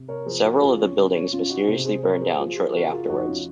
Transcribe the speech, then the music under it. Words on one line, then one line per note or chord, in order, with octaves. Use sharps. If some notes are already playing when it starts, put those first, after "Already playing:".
Several of the buildings mysteriously burned down shortly afterwards.
Already playing: C3
A#4 C#5
F3 G#4 C5
F#4 A#4
C#2 F4 G#4
C#4
C#2
C#4
C#2 C#4 F4
D#4 F#4
C3 G#4 C5
G#4 C5
F3 A#4 C#5
G#4 C5
F3 F4 G#4
F4 G#4
C#3 F#4 A#4
F4 G#4
F1 D#4 F#4
C#4 F4